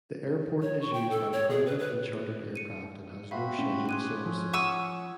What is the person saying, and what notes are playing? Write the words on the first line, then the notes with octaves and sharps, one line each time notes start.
The airport is used by private and chartered aircraft and has no scheduled services.
C#5
C#6
G5
A4
C#5
G#4
B4
B4
C#7 D#7
C4 F#4 E5 F5 B5
G1 A2 C#4
G#4 C#5 C6 D6 F#6 D#7
F3 C#4 C#5
F#5 C#6 D#6 E6 E7